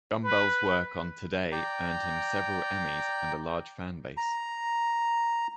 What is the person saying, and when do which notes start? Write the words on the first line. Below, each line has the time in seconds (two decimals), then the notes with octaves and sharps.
Gumbel's work on "Today" earned him several Emmys and a large fanbase.
0.24 B4
1.52 D5 G5 A#5
4.17 A#5